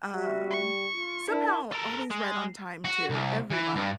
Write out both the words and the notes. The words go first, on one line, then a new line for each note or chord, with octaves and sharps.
um, somehow always right on time too every month.
G3 F#4 E5
C#6
F4
D4 E4 A#4 A5
A4 A#4
G#3
F#4
C2
E3
G2